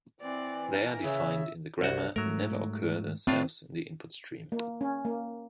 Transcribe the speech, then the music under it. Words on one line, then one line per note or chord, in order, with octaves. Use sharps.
They are defined in the grammar and never occur themselves in the input stream.
E3 C4 D5
A#4
C#3 E5
C2 F#4
G#2 F#3 A3 A#4
A2 C4 D4 F4
A#3
C#4
A#3